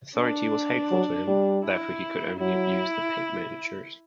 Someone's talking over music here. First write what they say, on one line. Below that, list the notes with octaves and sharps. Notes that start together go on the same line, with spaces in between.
Authority was hateful to him, therefore he could only abuse the pit-managers.
D4
F#3
G3
E4
F#3 E4